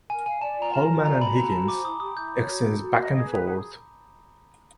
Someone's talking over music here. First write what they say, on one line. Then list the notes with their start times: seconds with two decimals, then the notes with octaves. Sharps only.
Holman and Higgins exchange back and forth.
0.09 A#4 G#5
0.26 F5 G#5
0.41 D5 A5
0.58 F4 A#5
0.73 A#4 A5
0.90 F4
1.05 D5 A#5
1.21 F#4 B5
1.37 A4 A#5
1.52 F#4 A5
1.68 C5 D6
1.84 E4 D#6
2.00 G4 D#6
2.17 E4 G6
2.32 C#5
2.48 F#4
2.64 A4
2.80 F#4
2.95 D#5
3.11 G#4
3.27 B4
3.43 G#4